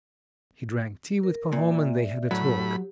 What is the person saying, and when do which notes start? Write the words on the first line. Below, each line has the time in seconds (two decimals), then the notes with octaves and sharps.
He drank tea with Pahom, and they had a talk.
1.23 A#4
1.52 A#2 D5 E5
2.31 A2 F#3 B5
2.57 G4